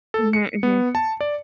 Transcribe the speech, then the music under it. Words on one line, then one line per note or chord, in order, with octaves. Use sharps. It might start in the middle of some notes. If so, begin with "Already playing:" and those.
Mhm, mhm.
A4
C#7
B3
A5
D5